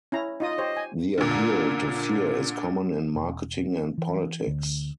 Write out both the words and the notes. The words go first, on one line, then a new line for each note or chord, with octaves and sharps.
The appeal to fear is common in marketing and politics.
C#4 E4 A#5
D#4 F4 D#5 D#6
G4 C5 C#5
G#5
A#2 D3
E1
E3
D2